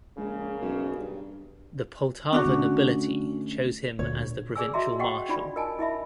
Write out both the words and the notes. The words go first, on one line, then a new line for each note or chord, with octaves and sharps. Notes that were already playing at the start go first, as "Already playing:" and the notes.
The Poltava nobility chose him as the provincial marshal.
A#1 C#3 G#3 A#3
B1 F#2
G2
D4 E4 F#4
D3 A3 C#4
D2 A#2 C#5
G#4 D5 G#5 E6
F#4 D#5 E5 A#5 C6
D#5 F#5 G5 C#6
D4 D#4 F4 D5 B5
A#4 D#5 G#5 A5
E4 D#5 E5 B5